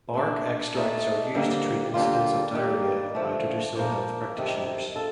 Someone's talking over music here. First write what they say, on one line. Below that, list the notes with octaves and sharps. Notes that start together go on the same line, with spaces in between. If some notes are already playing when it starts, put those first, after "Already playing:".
Bark extracts are used to treat incidents of diarrhea by traditional health practitioners.
A#2 A3 D4
A#2 A3 D#4 A4
D2 D3 G3 A#3
D#2 D3 G3 A#3 F4
D#3 G3 A#3
D3 F3 A3
A#2 F3 A#3
F2 C3 D#3
F4 A4